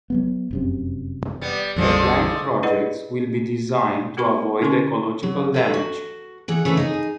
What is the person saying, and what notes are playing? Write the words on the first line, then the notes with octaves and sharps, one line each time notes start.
The planned projects will be designed to avoid ecological damage.
F#3 G3 B3
F1 F#2 C3
G3 B3
A#1 F2 D3 F3 G3 G#3
E4 G#4 B4 D5 D#5 F#5
B3 F#4 A#4 B5 C#6
D3 C#4 E4 A#4 C6 C#6
F#3
A4 B4 A#5
F#4
E3 G#4 F#5
C#3 E3 A3 A4 B4 C5
D#4 G#4